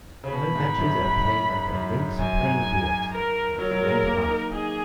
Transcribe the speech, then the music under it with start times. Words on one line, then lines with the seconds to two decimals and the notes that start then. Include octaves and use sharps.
Home matches are played at the Links Playing Fields and Grant Park.
0.24 C#3
0.31 B2 B5
0.55 G#2
0.78 F#2
1.01 G#2
1.25 F#2
1.49 G#2
1.72 F#2
1.95 G#2
2.19 F#2 G#5
2.42 G#2
3.12 A#4
3.58 F#3 A#4
3.71 F#3
3.82 G#3
4.06 A#3
4.28 D#4
4.52 D#4 G#4